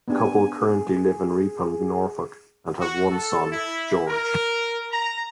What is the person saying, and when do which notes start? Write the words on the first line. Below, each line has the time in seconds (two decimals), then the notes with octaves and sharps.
The couple currently live in Reepham, Norfolk, and have one son, George.
0.08 B3 D4 G4 G#5
0.57 G#4
2.80 F#4
3.11 A4
3.51 E4
4.07 A#4
4.92 A#5